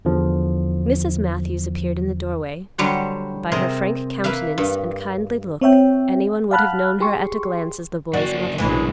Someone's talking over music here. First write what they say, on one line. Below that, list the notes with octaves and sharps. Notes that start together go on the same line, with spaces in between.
Mrs. Matthews appeared in the doorway; by her frank countenance and kindly look anyone would have known her at a glance as the boy's mother.
E2 D3 F3
D3 F#3 G3 C5 C#5
C3 G#4 A#4 C5
A#3 B4 E5 F5
G2
C4 C#5 E5 G5
F5 F#5 A5 B5 F6 F#6
G4 G#4 C6 C#6
F#2 A#3 D4 F#4
A#1 B2 E3 G#3